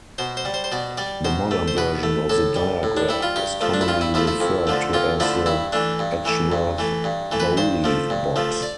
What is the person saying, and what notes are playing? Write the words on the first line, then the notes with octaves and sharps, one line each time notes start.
The modern version of the diagram is commonly referred to as the Edgeworth-Bowley box.
B2 C5
C5
G3
C5
C5
B2 D5
G3 D5
B2 C5
A3
C5
B2 B4
A3
A2 A4
G3
A2
D4
G3 E4
F4
G2 G4
F3 A3
D4
E4
G2 F4
E4
F3 A3 E4
E4
F2
D3 F3 A3
F2 F4
D3 F3 A3 E4
G2 E4
E3 A3 D4
G2
E3 A3
G2
E3 A3
G2
E3 A3
B4
G2 C5
F3 A3
G2
F3 A3
D5